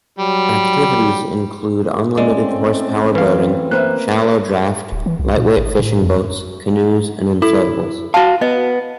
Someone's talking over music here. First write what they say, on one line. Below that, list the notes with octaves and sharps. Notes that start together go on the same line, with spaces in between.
Activities include unlimited-horsepower boating, shallow-draft, lightweight fishing boats, canoes and inflatables.
F#3 G3
G#3 A3 C4 C#4 D5
E3 B4 F5
A#3 B4 C5 E5 F#6
D1
E3
C2
A#2
G#1
A2
F2
E4 A4
F#4 F5 A5
B3 D#5